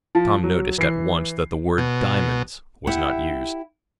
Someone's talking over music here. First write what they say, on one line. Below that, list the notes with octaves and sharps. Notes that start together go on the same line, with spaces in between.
Tom noticed at once that the word "diamonds" was not used.
F3
F#3
E3 C7
B2
E4 G4 F#5